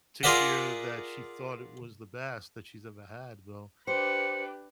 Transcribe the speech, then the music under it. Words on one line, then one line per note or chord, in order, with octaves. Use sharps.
to hear that she thought it was the best that she's ever had, though.
F4 G#4 A#4 D5 E5 F#5
D4 G4 B4 C5 C#7